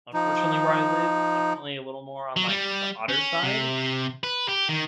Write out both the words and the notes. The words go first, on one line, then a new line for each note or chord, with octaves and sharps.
Unfortunately, where I live, it's definitely a little more on, like, the hotter side.
F3 D#4
F#3
G3
C#4
C3
B4
G4
D#3